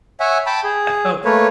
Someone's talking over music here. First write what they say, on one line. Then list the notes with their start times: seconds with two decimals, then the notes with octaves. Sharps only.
I felt
0.20 C#5 E5 F#5 G#5
0.46 G5 A5 B5
0.64 G#4
1.25 A3 A#3 B4 C#5